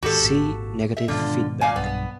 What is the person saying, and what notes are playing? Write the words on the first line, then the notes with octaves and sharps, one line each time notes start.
See Negative feedback.
D#2 G#2 F#4 G4 A4
D#1 G#1 A#2
E5
D#2 G#2 B2 D3 F4
A#2 F5 G#5
B1 G2 B3